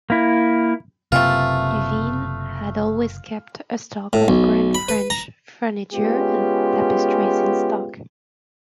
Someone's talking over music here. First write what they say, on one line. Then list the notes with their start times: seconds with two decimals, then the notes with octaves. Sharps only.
Duveen had always kept a stock of grand French furniture and tapestries in stock.
0.10 A#3 E4
1.12 F#1 C3 E3 G3 A3 A#3 F4
4.13 A2
4.28 B1
4.75 B5
4.89 B4
5.10 A#5
5.94 G#3 B3 C#4 F4 G4